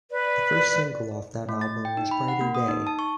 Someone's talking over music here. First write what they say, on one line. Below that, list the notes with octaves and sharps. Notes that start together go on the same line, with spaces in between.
The first single off that album was "Brighter Day".
B4 D5
A3
A6
G5
D#4
B5
F#5
A#3
D#6
D#4
A5
C#6